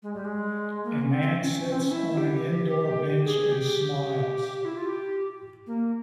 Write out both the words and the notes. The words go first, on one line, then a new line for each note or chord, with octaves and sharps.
A man sits on an indoor bench and smiles.
G#3
G3
G#3
A#3
C#4
C4
C#4
C#4
C4
C#4
E4
G4
G#4
G4
G4
E4
F4
G4
A#3